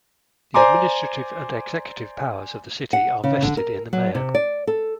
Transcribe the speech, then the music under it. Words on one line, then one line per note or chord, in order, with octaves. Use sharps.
The administrative and executive powers of the city are vested in the mayor.
C5 D5 G#5 A#5 C6 D6
F#5
C#3
D3
A#4
F#3
C3
D5
A4